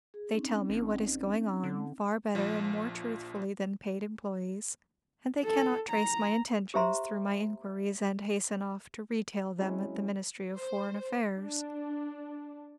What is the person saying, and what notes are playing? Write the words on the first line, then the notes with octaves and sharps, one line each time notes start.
They tell me "what is going on," far better and more truthfully than paid employees, and they cannot trace my intentions through my inquiries, and hasten off to retail them at the Ministry of Foreign Affairs.
G#4
C4 C#4 D#4
A1
D3
A#1 F3
A4
A#5
G4 C5 E5 A#5 C6
F#3 G#3 C4 C#4 E4
C5
D4